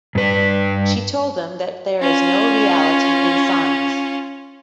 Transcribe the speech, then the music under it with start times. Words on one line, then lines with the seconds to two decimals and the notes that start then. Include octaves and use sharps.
She told them that there is no reality in signs.
0.15 G2 B4
2.01 C#4 F4